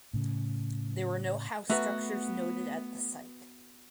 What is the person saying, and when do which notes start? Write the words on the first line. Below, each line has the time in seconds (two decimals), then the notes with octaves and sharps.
There were no house structures noted at the site.
0.13 A2 C#3
1.70 A3 B3 F#4 B4 E5 A#5